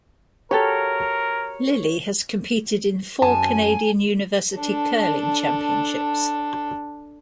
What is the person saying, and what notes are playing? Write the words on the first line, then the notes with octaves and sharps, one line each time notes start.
Lilly has competed in four Canadian University Curling Championships.
F#4 G4 A4 A#4 C#5
F#2 G#5 A5
D4 A4